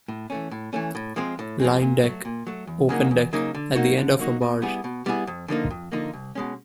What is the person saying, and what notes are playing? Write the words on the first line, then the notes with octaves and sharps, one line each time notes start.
Line Deck- Open deck at the end of a barge.
A2
E3 A3 C#4
A2
E3 A3 C#4
A2
F3 G#3 C4
A2
F3 G#3 C4
A#2
F#3 A3
A#2
F#3 A3
E2
C#3 F#3 A#3 D#4
E2
C#3 F#3 A#3 D#4
D3
F#3 A#3 D#4 F#4
D3
F#3 A#3 D#4 F#4
B2
G3 B3 E4 G#4
B2
G3 B3 E4 G#4
F2
D3 F3 A#3 D#4
F2
D3 F3 A#3 D#4
C2
B2 G#3 C#4